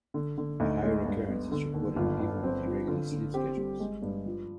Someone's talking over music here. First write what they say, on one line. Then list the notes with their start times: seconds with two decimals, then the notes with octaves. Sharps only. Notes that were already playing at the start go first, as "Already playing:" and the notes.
A higher occurrence is reported in people with irregular sleep schedules.
0.14 D3
0.38 D3
0.60 D2 D#4
0.82 G#3
1.06 G2
1.28 B3
1.52 D3
1.74 D#2
1.96 G1 F4
2.19 G1
2.43 C4
2.66 F3
2.88 D3 F4
3.12 D3
3.34 C4 G4
3.57 G3
3.80 G#3
4.02 G2
4.26 F3